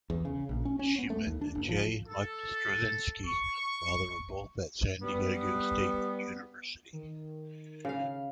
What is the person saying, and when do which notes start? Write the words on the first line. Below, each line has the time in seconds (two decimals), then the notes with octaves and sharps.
She met J. Michael Straczynski while they were both at San Diego State University.
0.10 E2
0.25 C#3
0.49 A#1
0.65 C#4
0.79 C#4
0.99 B3
1.10 A3
1.27 D#2
1.41 D4
1.55 F#1
1.69 F3
2.07 A4
3.26 C#6
5.02 G3 B3
6.93 D#3
7.85 C#3 F5